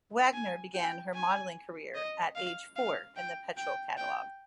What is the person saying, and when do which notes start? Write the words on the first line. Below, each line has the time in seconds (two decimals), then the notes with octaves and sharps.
Wagner began her modelling career at age four in the Petrol catalog.
0.33 G#5
0.74 G5
1.15 G#5
1.95 D#5
2.36 F5
2.76 F5
3.17 G5
3.57 G5
3.98 G5